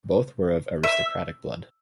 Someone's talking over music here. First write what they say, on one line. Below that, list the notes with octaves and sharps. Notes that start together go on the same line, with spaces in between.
Both were of aristocratic blood.
E5